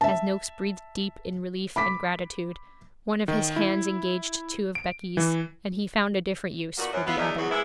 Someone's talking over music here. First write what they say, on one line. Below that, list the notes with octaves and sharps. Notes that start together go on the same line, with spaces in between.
As Noakes breathed deep in relief and gratitude, one of his hands engaged two of Becky's, and he found a different use for the other.
E5 A5
B5 D6 B6
D#3
E4
D7
E3
A#2 D#3 G3 B3 F#4
F#2
B3 E4 F4
E2 F#3 D4 D#4 A#4 E5
E2 F#3
G#2 G#3 B3 E4